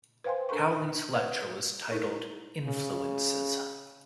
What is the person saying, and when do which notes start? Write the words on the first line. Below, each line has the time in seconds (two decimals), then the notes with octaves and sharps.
Cowley's lecture was titled "Influences".
0.24 B4 C5 F5 G5 G#5 C6
0.49 D4 A4 A#4 C6 C#6
1.14 B4 F#5
1.89 D#4 E4 A4 A#4
2.65 C#3